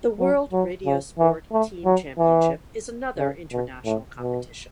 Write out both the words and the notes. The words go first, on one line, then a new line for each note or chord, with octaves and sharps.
The World Radiosport Team Championship is another international competition.
F#3
F#3
C#3
E3
A3
F#3
E3
C#3
B2
A2
B2